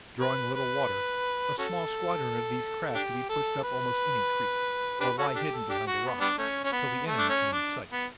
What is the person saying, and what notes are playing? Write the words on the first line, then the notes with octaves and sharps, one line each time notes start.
Drawing little water, a small squadron of these craft could be pushed up almost any creek, or lie hidden behind a rock, till the enemy came in sight.
B4
B4
C#4 F#4 A4
D4 G4
A4
B4
D4 G4 B4
C#4 F#4 A4
D4 G4
A4
D4 G4
F#4
B3
G3 B3 D4
A3 C#4
C#4
B3
A3
D4
C#4
D4
B3